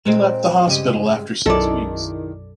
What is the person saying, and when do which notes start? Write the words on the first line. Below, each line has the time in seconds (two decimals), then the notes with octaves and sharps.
He left the hospital after six weeks.
0.05 A#2 G#3 C4
0.68 G2 C#3 G#3 G4 D#7
1.46 B1 F#2 D#3 G#3 E4 A4 D5